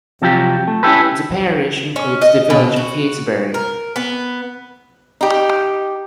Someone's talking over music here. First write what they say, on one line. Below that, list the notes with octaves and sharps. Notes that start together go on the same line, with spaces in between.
The parish includes the village of Yatesbury.
C3 F3 F#3 F4 G4
A3
C#4 E4 F4 G4 A4 B4
C#4
D#5
B2
F#4
A#4
B3
D#4 G4